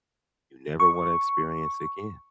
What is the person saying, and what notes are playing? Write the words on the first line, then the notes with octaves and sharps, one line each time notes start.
you never wanna experience again.
C#6